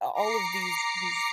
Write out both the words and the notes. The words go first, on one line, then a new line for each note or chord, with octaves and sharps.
a all of these these
A#5 D6 C7 C#7